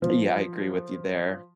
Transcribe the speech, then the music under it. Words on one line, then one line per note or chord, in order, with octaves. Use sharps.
Yeah, I agree with you there.
F3